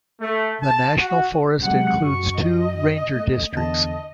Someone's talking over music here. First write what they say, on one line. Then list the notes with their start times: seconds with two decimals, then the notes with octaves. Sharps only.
The national forest includes two ranger districts.
0.21 A3
0.62 A5
0.99 F#4
1.63 C3 F#3 G#3 F#5
2.04 F#2 F#4 C#6
2.37 D#5
3.16 A3
3.53 E2 D3 D#5 A5